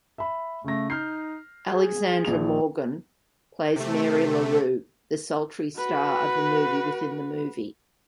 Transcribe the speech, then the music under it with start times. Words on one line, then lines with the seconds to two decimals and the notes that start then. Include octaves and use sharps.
Alexandra Morgan plays Mary LaRue, the sultry star of the movie within the movie.
0.18 E5 B5
0.64 C#3 A3 A#6
0.90 D#4 F6 G6 C7
1.69 G#4
2.25 A#1 F3 F7
3.76 C3 A3
5.78 F#4 B4